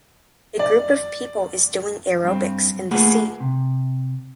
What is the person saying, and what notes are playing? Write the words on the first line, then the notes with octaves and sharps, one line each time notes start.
A group of people is doing aerobics in the sea.
D5
G2 C4
A3 A#3 F4 G#4 B4 F#5
C3